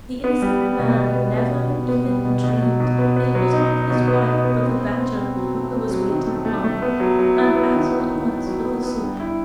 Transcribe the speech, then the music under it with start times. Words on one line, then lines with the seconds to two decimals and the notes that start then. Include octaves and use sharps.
The innocent man never even dreamed that it was not his wife but the badger who was waiting upon him, and asked at once for the soup.
0.24 B3
0.42 G3
0.61 G3
0.79 B2
0.97 B2
1.15 B3
1.34 B3
1.52 B2
1.70 B2
1.89 B3
2.07 G3
2.25 B2
2.44 B2
2.62 F#3
2.80 B2
2.98 B3
3.17 B3
3.35 F#3
3.53 D#4
3.72 D#4
3.90 B2
4.08 B3
4.26 D#4
4.44 B3
4.63 C4
4.81 C4
4.99 C4
5.17 C4
5.36 F#3
5.54 A3
5.73 C4
5.91 F#3
6.09 D#3
6.27 A3
6.45 A3
6.64 A3
6.82 B3
7.00 F#3
7.19 F#3
7.37 E4
7.55 B3
7.73 D#3
7.92 B3
8.10 D#3
8.28 F#3
8.47 F#3
8.65 B3
8.83 B3
9.01 G2
9.20 E4